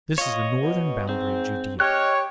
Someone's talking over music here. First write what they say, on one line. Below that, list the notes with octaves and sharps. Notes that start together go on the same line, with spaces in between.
This is the northern boundary of Judea.
F4 C#5 D#5
B2
G#2 C4
G4 C#5 D#5 F6 F#6